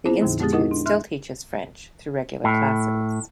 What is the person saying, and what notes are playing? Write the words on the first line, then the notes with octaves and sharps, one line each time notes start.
The institute still teaches French through regular classes.
B3 C4 E4 F4 G#4 C5
F2 A#2 D3 F3
G#3 B3 G4 G#4 D#6 A6
D#4 E4 A#4 D#5 F#5 D#6
D4
E5 C6 F6 F#6
A2